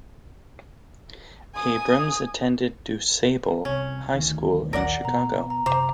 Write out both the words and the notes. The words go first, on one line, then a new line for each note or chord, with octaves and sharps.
Abrams attended DuSable High School in Chicago.
G#5 D#6
C2 C3 C#4
D2 D#3
A#1 D#2 A#4 D5 F#5
B2 B3 A#5
A#5
F#2 C3 C5 A#5 D6